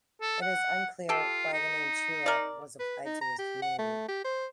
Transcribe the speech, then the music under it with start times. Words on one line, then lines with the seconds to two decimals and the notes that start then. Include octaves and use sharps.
It is unclear why the name Chula was applied to this community.
0.21 A4
0.42 F#5
1.09 F4 G4 A4
1.53 D#4
2.26 A#4 D5
2.80 B4
3.06 D#4
3.21 A#5
3.39 G4
3.62 F#5
3.79 A3
4.08 G4
4.25 C5